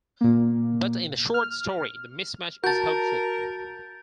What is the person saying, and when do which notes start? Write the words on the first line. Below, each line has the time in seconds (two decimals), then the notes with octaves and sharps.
But in the short story the mismatch is hopeful.
0.21 A#2 A#3
1.34 F6
2.64 F#4 A#4 A5 G6 A6